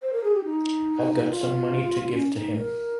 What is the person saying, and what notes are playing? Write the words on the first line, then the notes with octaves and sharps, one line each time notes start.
I've got some money to give to him.
C5
A#4
G#4
G4
D#4
F4
C#4
D#4
A#4